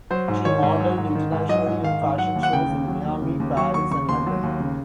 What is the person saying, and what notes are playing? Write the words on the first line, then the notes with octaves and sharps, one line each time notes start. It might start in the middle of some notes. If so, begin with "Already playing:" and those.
She modeled internationally in fashion shows in Miami, Paris and London.
F#3 C5
G#2
D#3 C#5
G#2
F#3
G#2
D#3
G#2
F#3 D#5
G#2
D#3 F5
G#2
F#3 F#5
D#2
F#5
C#3 G5
D#2
F#3
D#2
C#3
D#2
F#3 C#6
D#2 C#6
C#3 C#6
D#2 C6
F#3
D#2
C#3